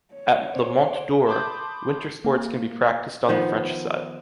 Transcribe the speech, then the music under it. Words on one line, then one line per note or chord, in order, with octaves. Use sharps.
At the Mont d'Or, winter sports can be practiced on the French side.
C#5
C5 D5
A5 B5 C6 D6 D#6 G6
A#3
D#3 F3 B3